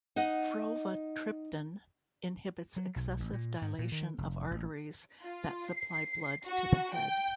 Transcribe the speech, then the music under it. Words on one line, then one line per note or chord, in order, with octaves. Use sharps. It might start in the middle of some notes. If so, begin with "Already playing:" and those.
Frovatriptan inhibits excessive dilation of arteries that supply blood to the head.
D#4 D#5 F#5
F#3
B1
A1
A#2
G#2
A#2
D#3
F1
A1
F4
C7
F#4
G5